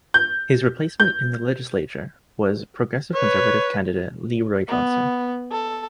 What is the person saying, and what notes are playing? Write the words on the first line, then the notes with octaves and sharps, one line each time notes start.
His replacement in the legislature was Progressive Conservative candidate LeRoy Johnson.
G6
G6
B4 C#5
B3
A4